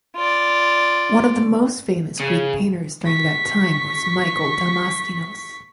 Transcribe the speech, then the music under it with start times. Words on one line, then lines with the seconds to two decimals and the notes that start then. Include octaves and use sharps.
One of the most famous Greek painters during that time was Michael Damaskinos.
0.16 F4 D5
2.20 C#3
3.05 C#6 B6